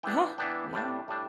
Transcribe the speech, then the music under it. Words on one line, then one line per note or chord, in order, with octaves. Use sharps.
Uh-huh. Yeah.
E3 B3 D4 G5
E3 B3 D4 G5
A2 G3 D4
A2 G3 D4